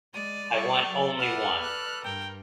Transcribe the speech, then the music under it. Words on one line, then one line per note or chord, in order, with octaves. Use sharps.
I want only one.
G#3 D5 D#7
G3 G#4 C#6
F#3 A4
B4 D5 F#5 F6
F#6
G2 A#4 G5